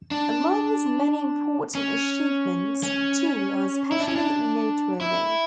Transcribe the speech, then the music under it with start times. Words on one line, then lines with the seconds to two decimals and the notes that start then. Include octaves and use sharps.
Among his many important achievements, two are especially noteworthy.
0.11 D4
1.75 C#4
2.83 C#4
3.92 E4
4.00 D4
4.08 C#4
4.15 D4
5.01 E4